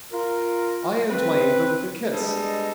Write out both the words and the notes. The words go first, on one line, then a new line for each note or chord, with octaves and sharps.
I end my anger with a kiss.
F4 A#4
C4 B4
G3 G#3 B3 D4 A4 D#5